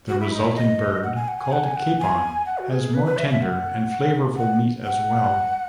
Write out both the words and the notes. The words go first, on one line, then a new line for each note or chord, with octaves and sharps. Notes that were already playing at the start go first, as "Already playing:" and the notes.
The resulting bird, called a capon, has more tender and flavorful meat, as well.
F#4
E4
D#4
E4
C#5
D#5
F#5
G#5
F#5
G#5
F#5
G#5
F#5
G#5
F#5
F#4
G#4
B4
B4
E5
E5
F#5
F#5
F#5
F#5